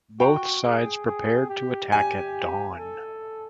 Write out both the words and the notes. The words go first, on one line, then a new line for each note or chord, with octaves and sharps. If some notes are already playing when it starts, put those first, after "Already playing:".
Both sides prepared to attack at dawn.
F#4 G5
G#4
G#4
G4
G4 G#5
A4